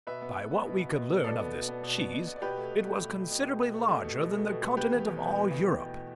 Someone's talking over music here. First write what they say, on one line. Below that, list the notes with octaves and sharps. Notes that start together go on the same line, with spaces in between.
By what we could learn of this CHEESE, it was considerably larger than the continent of all Europe!
B2 B4 E5
B3
B2
B3
B2
B3
B2
B3
B2 A4 D5
B3
B2
B3
B2
B3
B2
B3
D5
B2 G4 B4
A3
B2
A3
B2
A3
B2
A3
B2
A3
B2
A3
B2
A3
B2
A3
B3 G4 B4
E2
E2
B2
B3
E2
E2
B2
B3